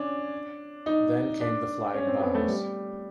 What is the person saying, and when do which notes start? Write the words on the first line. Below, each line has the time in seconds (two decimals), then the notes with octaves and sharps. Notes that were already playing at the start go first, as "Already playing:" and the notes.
Then came the flying bombs.
Already playing: C#4 D4
0.86 D#4
1.40 D4
1.94 C#4
2.07 C4
2.20 B3
2.35 A3
2.48 G3